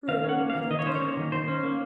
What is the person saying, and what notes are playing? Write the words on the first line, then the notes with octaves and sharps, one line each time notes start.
"True," muttered the Bear.
D#3 F5
C#4
F#5
A#3
F5
D#3
D#3 D#5
C#5
C#4 C5
C#5
A#3
D#3
D#3 C5
C#4
A#3